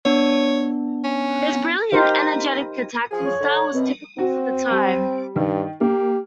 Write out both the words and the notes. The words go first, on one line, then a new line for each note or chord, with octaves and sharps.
His brilliant, energetic attacking style was typical for the time.
B3 D4 C#5
C#4
D#4 G4 A#4 C5 F5
F3 G#4
C#5
D3
F#2 B2 C4
C4 F#4
G3
G2 D#3
A#3 G4